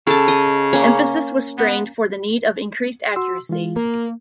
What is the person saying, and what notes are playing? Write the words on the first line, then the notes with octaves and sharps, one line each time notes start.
Emphasis was strained for the need of increased accuracy.
C#3 A4 A5
D#5
A#3 C#4
B3
F#4 C6 E6
E3 G#3 F4
A#3 A#4